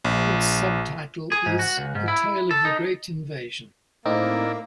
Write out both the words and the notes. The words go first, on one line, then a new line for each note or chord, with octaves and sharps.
Its subtitle is "A Tale of the Great Invasion".
A#1
G#4
G#2
F#4
C#2
G#2
E4
A4
D#4
A2 A#3 C4 D#4 E4 A#4 D5